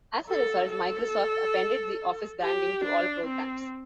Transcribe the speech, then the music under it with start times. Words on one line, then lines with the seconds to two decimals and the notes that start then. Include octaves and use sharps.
As a result, Microsoft appended the Office branding to all programs.
0.29 A4
0.72 A4
2.42 G4
2.84 D4
3.26 C4